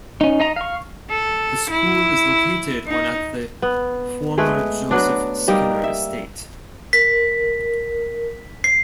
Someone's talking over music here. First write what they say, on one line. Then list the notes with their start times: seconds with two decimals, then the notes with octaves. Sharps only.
The school is located on at the former Joseph Skinner estate.
0.21 C#4 D#4
0.40 D#4 D#5 A#5
0.56 F5 C#6
1.10 A4
1.70 E4
2.87 D#4
3.62 B3
4.38 G#3 A3 G#4 B4
4.91 F#3 B3 D4
5.48 G3 A#3 D#4
5.84 E5
6.93 A#4 B6
8.64 C7